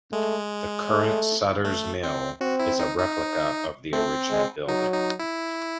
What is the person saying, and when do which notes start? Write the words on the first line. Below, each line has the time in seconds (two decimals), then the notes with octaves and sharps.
The current Sutter's Mill is a replica of the original building.
0.13 G#3 A3
0.90 A3
1.65 A3
2.04 C4
2.41 C4 F#4
2.59 E4
2.80 D#4
2.98 D#4
3.93 A3 C4
4.31 G#3
4.68 F#3 D#4
4.94 D#4
5.19 E4